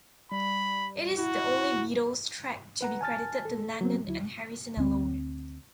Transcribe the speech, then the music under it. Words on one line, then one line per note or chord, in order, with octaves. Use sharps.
It is the only Beatles track to be credited to Lennon and Harrison alone.
G3 B5
E4 F#4
B4 F#5 A#5
G#5 A5 F6 A6
A4
F#3 B3 C4
D2 F#3 E4
D2 C4